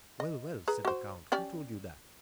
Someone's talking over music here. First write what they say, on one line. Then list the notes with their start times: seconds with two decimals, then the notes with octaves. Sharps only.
"Well, well," said the count, "who told you that?"
0.20 D#5
0.68 G#4 B4 A#5
0.85 F#4 C5
1.32 C#4 G4 D5